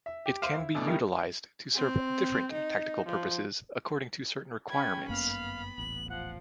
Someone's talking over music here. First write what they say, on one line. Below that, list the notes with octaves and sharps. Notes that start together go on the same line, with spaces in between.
It can be utilized to serve different tactical purposes according to certain requirements.
E5
G4
C5 E5 F5 D6
E4
B2 E3 A3 D4
D#3 G3 E4 A#4
C4
D#4
F3
C#4 G5 B5 G#6
G1 F#2 A#3 B3 F5 B5
D#1 A1 F#7
F3 F#5